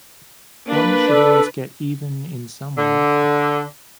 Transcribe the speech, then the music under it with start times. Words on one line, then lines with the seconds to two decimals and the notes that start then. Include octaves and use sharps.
One should always get even in some way.
0.67 A#3 D4 B4
1.08 A4 D5
2.77 D3